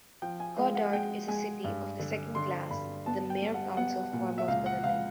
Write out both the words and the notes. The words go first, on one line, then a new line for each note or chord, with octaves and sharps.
Goddard is a city of the second class with a mayor-council form of government.
F3 G5
G#5
G#3 F5
F#5
G#3 G5
G#3 G#5
G2
D3
D3 C6
G2 B5
B3 A5
G5
G3
F#5
B3 F#5
A#2
E5
C#2 F5
F#5
C#2 F5